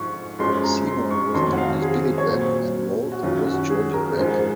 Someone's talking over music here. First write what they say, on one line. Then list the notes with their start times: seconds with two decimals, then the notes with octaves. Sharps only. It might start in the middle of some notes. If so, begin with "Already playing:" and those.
Seymour was known as Billy Black, and Walt was Georgie Black.
Already playing: G#2 F3 C#6
0.39 F#2 F3 G#3 C6
0.64 A#5
0.87 C6
1.11 C#6
1.34 F2 D#3 F#3 C6
1.53 F#5
1.58 F5
1.82 G#4
2.18 C#5
2.29 A#2 F#3 C5
3.12 F#4
3.23 F#2 D#3 F#3 F4
3.47 F#4
3.70 G#4
3.94 A#4
4.17 G#2 F3 G#3 C5